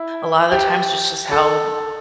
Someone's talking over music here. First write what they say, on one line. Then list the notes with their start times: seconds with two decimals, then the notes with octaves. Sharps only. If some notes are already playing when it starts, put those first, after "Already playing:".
a lot of the times, that's just how,
Already playing: E4
0.52 G4
1.31 A4